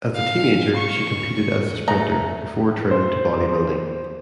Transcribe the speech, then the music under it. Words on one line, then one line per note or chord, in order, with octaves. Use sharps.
As a teenager she competed as a sprinter before turning to bodybuilding.
F5
C#6
A3 A#5
C5